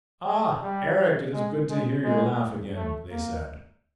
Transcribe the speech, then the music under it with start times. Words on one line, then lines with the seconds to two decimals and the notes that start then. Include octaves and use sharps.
"Ah! Eric, it is good to hear your laugh again," they said.
0.26 G#3
0.62 G3
1.33 G#3
1.69 G#3
2.04 G#3
2.76 A3
3.10 A#3